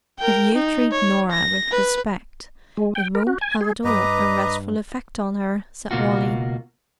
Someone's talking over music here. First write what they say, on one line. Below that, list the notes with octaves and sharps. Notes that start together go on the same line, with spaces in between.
"If you treat Norah with respect it won't have at all a restful effect on her," said Wally.
A#4 G5
D#4
C#5
A#6
B4
G#3
G5
A#4
F#4
G#5
G#4
G2 B4 D#5 A#5 D6
C#2 B2 A#3 F4 F#4